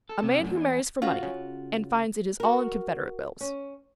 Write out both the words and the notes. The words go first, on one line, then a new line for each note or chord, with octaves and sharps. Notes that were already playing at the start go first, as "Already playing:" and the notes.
A man who marries for money and finds it is all in Confederate bills.
A4
C3
F#2 A2
E2
C#4 F4 F#4
C#3
F#4 A#4
C#4